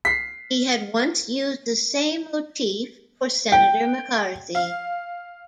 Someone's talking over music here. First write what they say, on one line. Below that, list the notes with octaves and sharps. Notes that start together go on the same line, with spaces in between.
He had once used the same motif for Senator McCarthy.
B6 C7
G5
F5